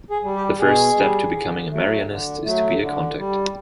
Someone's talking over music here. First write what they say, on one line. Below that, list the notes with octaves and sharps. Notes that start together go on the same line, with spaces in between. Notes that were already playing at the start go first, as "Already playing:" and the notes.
The first step to becoming a Marianist is to be a Contact.
G#4
G3
G4
B2 G#4
G3
D3
F#3 A3
D3
F#3 A3
D3
G3